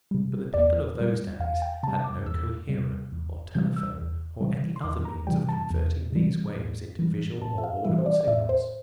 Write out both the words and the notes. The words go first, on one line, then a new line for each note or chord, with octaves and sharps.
But the people of those days had no "coherer" or telephone or any other means of converting these waves into visual or audible signals.
C3 G3
E2 D5
C3 G3
E2 F5
G5
C3 G3 A5
D6
E2 E6
C3 G3
E2
C3 E3 G3 G6
E6
E2
C3 E3 G3
C6
E2 D6
A#5
C3 E3 G3 G5
A5
E2
C3 E3 G3
A2
E3 G3
A2 A5
E5
F5
E3 G3 E5
C5
D5
D5
A2 E5
C5